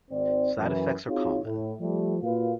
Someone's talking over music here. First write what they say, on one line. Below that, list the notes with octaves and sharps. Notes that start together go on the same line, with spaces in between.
Side effects are common.
G#1 C4 D5
F#2 E3
C4 D#4 F4 F#4 G#4 C#5
A2
F3 G3 A3
A#2 A#3 F4 F#4 B4 F5